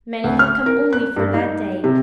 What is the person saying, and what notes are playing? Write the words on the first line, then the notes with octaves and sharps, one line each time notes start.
Many had come only for that day.
D2
F6
A#4
F#6
G2
D#4
C3